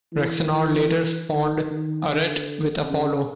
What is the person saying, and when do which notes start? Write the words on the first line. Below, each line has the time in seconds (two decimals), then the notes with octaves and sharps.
Rhexenor later spawned Arete with Apollo.
0.13 E3
0.52 E3
1.31 D#3
1.70 D#3
2.09 D3
2.87 C#3